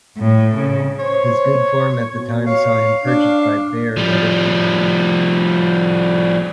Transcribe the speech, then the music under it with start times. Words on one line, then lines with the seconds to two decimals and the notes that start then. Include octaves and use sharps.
His good form at the time saw him purchased by Bayer Leverkusen.
0.17 A2
0.56 C#3
0.99 C5 C#5
2.05 B2
2.47 C#5 F5
3.04 D4
3.97 F3 G3